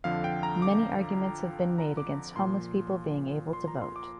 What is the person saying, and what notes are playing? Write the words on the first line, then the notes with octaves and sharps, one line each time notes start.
Many arguments have been made against homeless people being able to vote.
F2 D3 F3 F5
G5
A#5
D6
A#5
D6
A#2 F3 C6
C6
A#5
C6
D6